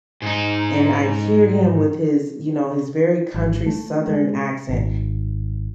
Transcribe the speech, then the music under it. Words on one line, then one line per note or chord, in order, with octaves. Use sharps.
and I'd hear him with his you know, his very country Southern accent,
G#2 D#4
G#1
A3
G#3
G#1